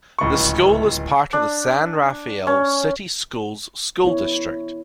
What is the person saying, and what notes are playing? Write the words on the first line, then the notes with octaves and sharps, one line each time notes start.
The school is part of the San Rafael City Schools school district.
D1 C#2 C#6
D4
C#4
B3 E4 C#5